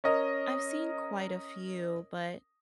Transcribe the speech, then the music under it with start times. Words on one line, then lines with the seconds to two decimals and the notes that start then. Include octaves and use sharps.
I've seen quite a few, but,
0.04 C#4 A#4 D#5